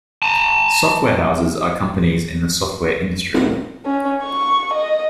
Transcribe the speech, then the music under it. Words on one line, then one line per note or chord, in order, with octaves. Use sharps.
Software houses are companies in the software industry.
A5 A#5
C#4
C#6
D#5